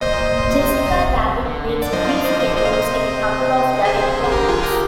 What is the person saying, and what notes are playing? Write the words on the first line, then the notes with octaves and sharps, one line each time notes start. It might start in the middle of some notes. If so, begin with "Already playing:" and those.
Jessica Rabbit makes brief cameos in a couple of the environments.
A#2 C5 D#5
C3
C3
C3
D3
D3
D5
D3 F3 C5 D#5
D5 F5
C5 D#5
D3 C5 D#5
A#2 C5 D#5
F5
A#2 C5 D#5
C3
D3
C3 G#4 C5
D3
C3 G#4
D3 G4 A#4
F4 G#4
G4 A#4